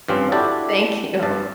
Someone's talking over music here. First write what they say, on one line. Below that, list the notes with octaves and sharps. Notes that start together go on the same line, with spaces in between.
Thank you.
G2 F3 C4 C#4
D4 E4 F#4 G4 A4 D5
G2 A5